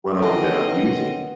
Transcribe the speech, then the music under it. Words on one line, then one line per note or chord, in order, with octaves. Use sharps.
one of 'em that I'm using,
F#2 B2 D3 B3 C4 A4 D#5 E5